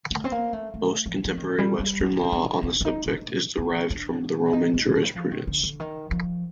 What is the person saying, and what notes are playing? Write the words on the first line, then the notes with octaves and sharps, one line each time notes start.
Most contemporary Western law on the subject is derived from the Roman jurisprudence.
A3
C4
A#3
A3
A3
F3
F3
D#3
G3
G3
D#4
C4
D4
D4
D4
D#4
D4
D#4
D4
D#4
D#4
D4
G3
F3
D#3
D3
D3
D#3
F3